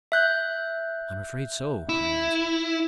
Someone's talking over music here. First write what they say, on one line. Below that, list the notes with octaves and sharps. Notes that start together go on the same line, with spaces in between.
"I'm afraid so," I answered.
E5 F#6 G6
E4